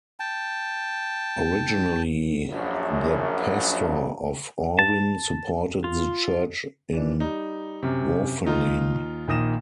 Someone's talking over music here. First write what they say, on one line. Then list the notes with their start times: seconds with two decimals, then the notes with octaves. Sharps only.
Originally the pastor of Orvin supported the church in Vauffelin.
0.20 G5 A5
2.49 A#1 F#2
4.79 A5
5.84 F4
6.93 E3 D4
7.20 G3 D#4
7.83 F#2 C3
8.46 D#2 D#4 F4
9.28 A#1 A#2 D#3 D#6 A#6 E7